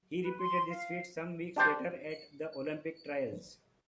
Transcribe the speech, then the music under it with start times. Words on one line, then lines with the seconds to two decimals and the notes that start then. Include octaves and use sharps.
He repeated this feat some weeks later at the Olympic Trials.
0.23 B4
0.38 C6
0.68 F5
1.56 D4 G4 C5 D5